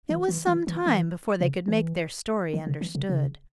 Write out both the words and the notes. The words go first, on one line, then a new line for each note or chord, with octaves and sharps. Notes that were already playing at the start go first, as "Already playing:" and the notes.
It was some time before they could make their story understood.
E3
E3
E3
E3
E3
C#3
E3
E3
C#3
E3
C#3
C#3